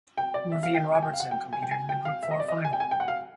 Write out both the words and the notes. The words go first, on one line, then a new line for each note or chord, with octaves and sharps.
Murphy and Robertson competed in the group four final.
G5
D5
E5
F5
G5
G#5
G5
F5
F#5
G5
G#5
G5
G#5
G5
F5
E5
D#5
D5
D#5
G#5
G5
G#5
G5
F#5
F5